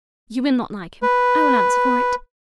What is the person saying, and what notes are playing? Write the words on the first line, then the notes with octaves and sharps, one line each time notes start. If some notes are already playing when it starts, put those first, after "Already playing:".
"You will not like him, I will answer for it."
B4